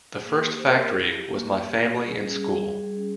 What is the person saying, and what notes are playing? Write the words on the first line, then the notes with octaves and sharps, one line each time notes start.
The first factory was my family and school.
A#3 G#4
A#3
G4
A#3
C5
A#3 G4 A#4
E4 A#4
G#4
E4
F4 G4
A#3
F4
A#3
A#3
F4
G3 G#4
C#4
G#4
G3
G3
G3
G3
C#4